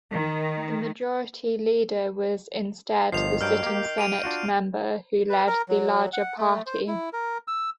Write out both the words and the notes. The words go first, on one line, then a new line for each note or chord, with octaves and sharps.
The Majority Leader was instead the sitting Senate member who led the larger party.
D#3
G1 D#3 F3 C7 F7
G2 F#3 F6 G6 D7
A#3 G4
G4 D7 D#7 F7
D4 F4 F#4
B4
A#4
F#3
F#5
A3
C5
E4
A#4
E6